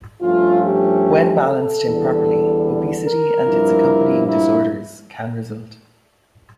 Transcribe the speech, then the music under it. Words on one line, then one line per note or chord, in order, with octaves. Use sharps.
When balanced improperly, obesity and its accompanying disorders can result.
G2 F3 A3 C#4 F4
G4
A4
E2 D3 G3
A#4
G2 F3 A#3 E4
E4